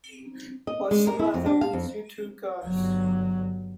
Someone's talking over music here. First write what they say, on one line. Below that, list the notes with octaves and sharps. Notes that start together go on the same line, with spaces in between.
What's the matter with you two guys?
D#5
G#3
A#4
E4
F2
D4
F5
F2
G1 F#3